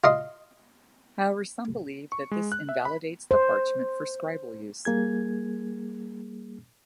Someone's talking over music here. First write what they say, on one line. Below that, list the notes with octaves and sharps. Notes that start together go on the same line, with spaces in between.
However, some believe that this invalidates the parchment for scribal use.
F4 D#5 C6
C#6
G#3
F#6
E5
B5
C5
G3 A#3 G#4 G#6